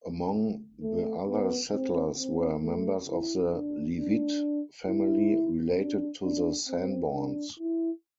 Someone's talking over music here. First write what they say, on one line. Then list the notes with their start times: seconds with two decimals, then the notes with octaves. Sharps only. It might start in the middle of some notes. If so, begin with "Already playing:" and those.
Among the other settlers were members of the Leavitt family, related to the Sanborns.
0.83 A3
1.28 B3
1.73 C4
2.17 C4
2.62 A3
3.08 E4
3.53 D4
3.98 D4
4.88 E4
5.78 D4
6.24 D4
6.68 C4
7.13 D4
7.59 E4